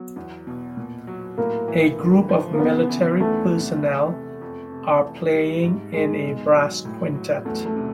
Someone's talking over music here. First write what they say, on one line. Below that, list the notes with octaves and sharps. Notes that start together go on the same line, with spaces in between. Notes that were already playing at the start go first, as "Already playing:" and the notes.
A group of military personnel are playing in a brass quintet.
Already playing: F#3 B3
E2
B2
A#2
F#3
A2 A#3
E3
D3
F3
A#3
C#3 B3
E3
E2 A3
C3
E2
C3
F2
C3
E3
G3
G#2
D#3 G#3
B2
F#3
A2
F#3
E2 A3
A3
C3